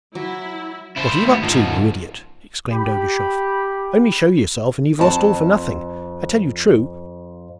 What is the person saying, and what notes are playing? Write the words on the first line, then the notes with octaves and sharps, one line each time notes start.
'What are you up to, you idiot?' exclaimed Ergushov. 'Only show yourself and you've lost all for nothing, I tell you true!
F#3 E4
E4 C5
D2 B3
G#2 F3
G4 B5
F2 A5